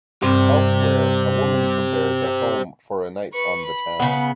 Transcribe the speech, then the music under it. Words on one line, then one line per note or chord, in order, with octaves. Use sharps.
Elsewhere, a woman prepares at home for a night on the town.
C2 G2 C4 G4 C5
B4 C#6
B5
C#3 B3